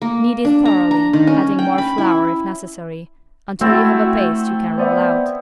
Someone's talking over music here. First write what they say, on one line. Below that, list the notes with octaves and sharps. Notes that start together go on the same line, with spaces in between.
Knead it thoroughly, adding more flour if necessary, until you have a paste you can roll out.
A#3
D4
A#5
A#5
D#3
C#4
G5
B5
E4
A3 C4 E4 F#4 A5
B3 C5 D5 E5